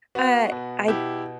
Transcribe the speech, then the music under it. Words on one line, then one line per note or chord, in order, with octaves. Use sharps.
uh, I
B3 F#4
B2
B2 E4 G4